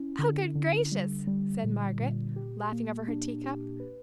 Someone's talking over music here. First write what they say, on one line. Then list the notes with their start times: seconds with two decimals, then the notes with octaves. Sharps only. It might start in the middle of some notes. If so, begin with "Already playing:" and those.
"Oh, good gracious!" said Margaret, laughing over her teacup.
Already playing: C#4 E4
0.19 D3
0.55 D3
0.92 G3
1.27 G3
1.64 A#2
2.00 A#2
2.36 G4
2.72 A#3
3.08 D4
3.44 G4
3.80 B4